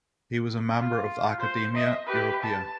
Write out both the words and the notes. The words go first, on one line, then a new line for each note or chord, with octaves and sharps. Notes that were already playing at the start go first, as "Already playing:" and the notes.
He was a member of the Academia Europaea.
F4
C5 C6
D#5 E5
G4 B4
A5